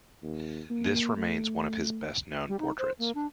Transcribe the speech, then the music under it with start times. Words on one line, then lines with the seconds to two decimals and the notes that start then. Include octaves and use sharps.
This remains one of his best-known portraits.
0.23 D#2
0.70 A#3
1.17 A3
2.48 G3
2.60 D#4
2.78 C5
2.99 A#3
3.15 D4